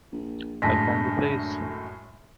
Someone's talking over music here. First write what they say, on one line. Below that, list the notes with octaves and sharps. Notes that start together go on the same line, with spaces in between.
I found the place.
A#1
F#2 A2 D3 G#3 A5 A#6 B6